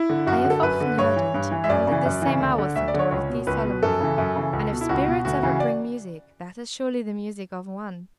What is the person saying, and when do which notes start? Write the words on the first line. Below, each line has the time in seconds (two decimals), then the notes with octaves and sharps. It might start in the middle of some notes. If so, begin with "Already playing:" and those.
'I have often heard it, and at this same hour,' said Dorothee, solemnly, 'and, if spirits ever bring music--that is surely the music of one!'
Already playing: E4
0.10 D3
0.26 F#2 F#4
0.38 F#4
0.45 D3
0.50 A4
0.62 F#2 B4
0.80 D3
0.98 G2 C#5
1.16 E3
1.34 G2
1.51 E3
1.64 E5
1.69 F#2 D5
1.87 C#3 E3
2.05 F#2
2.22 C#3 E3
2.40 D2
2.58 D3
2.76 D2 E5
2.88 D5
2.94 D3 C#5
3.11 C#2 C#5
3.30 B2
3.47 C#2 B4
3.65 B2
3.83 F#2 A4
4.00 C#3 E3
4.18 F#2
4.36 C#3 E3
4.53 C#2
4.72 B2
4.81 E4
4.89 C#2 F#4
5.07 B2
5.25 D2 F#4
5.43 C#3 E3
5.60 D5